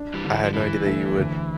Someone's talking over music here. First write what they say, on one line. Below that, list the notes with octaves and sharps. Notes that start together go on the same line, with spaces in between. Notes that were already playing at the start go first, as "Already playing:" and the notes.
I I had no idea that you would
Already playing: D4
E3 G3
D3
E3
F3
G2 E3
A3
D2